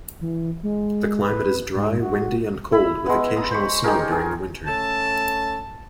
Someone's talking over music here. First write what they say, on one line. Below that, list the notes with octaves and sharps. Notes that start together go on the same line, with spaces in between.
The climate is dry, windy and cold, with occasional snow during the winter.
E3
G#3
B4
G#2
F#4
E4 B5
G#3 B3
A#5 D#6
C5 B5 C#6
D#4 G4 G#4 A#4
G#4
A3 C#4 A4 A5